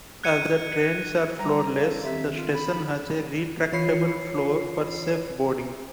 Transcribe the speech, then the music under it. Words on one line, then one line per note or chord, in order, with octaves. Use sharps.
As the trains are floorless, the station has a retractable floor for safe boarding.
F#6 G#6 C#7 D#7
G3 A#5
A4 F5
D#3 C4 G4 E5
F4
B5
D#4
E3 F4 C#5 B5 C7 C#7